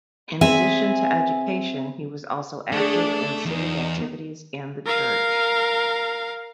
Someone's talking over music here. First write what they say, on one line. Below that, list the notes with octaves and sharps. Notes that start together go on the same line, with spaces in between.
In addition to education, he was also active in civic activities and the church.
C4 G#4 E5 G#5
A3 D4 G#4 D5
E2 D#4
A#4 F5